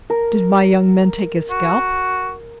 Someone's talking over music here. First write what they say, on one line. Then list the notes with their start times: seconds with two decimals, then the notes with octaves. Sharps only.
"Did my young men take his scalp?"
0.10 A#4
1.50 F#4